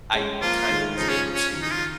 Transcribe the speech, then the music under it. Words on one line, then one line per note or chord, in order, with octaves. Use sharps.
I kinda was able to
G#3 C#4
F3 A#3 F4
D#3 G#3
C#3 F3 D#4
C#4
C#4
D#3
D#4
F4